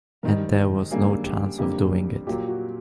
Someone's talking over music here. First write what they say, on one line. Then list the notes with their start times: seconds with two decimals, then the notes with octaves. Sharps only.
And there was no chance of doing it.
0.23 G#2 D#3 G3 A#4
0.91 F#2 D3 G3 A#3 G#4
1.26 G4
1.58 F2 D3 G3 A#3 G4
2.27 A#2 F#3 A#3 G4
2.49 F#4